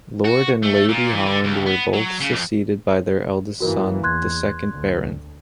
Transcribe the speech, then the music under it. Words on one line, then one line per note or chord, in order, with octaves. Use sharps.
Lord and Lady Holland were both succeeded by their eldest son, the second Baron.
F#4
A3
A#2
E3
D3
C#2
B3
F#3
C#3
F2
G2 E3 A#3 F#4 A#4
E2 C6 F#6 G#6
D2